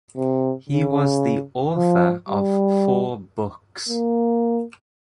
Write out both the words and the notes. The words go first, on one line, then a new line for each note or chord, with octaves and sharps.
He was the author of four books.
C3
C#3
F3
G3
A#3